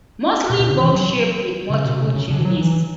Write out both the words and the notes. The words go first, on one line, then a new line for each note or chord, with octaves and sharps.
Mostly box shaped with multiple chimneys.
B2
B2
C#3
E3
F#3
C#3
B2
C#3
C#3
D3
E3
F#3
E3